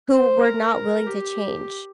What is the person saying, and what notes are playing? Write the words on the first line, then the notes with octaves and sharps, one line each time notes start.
who were not willing to change,
C5
A#4
G4